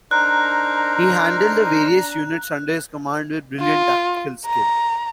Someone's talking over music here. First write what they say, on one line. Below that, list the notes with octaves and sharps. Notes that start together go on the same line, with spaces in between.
He handled the various units under his command with brilliant tactical skill.
D4 D#4 A#4 C5 A#5 F#6
F4
A#5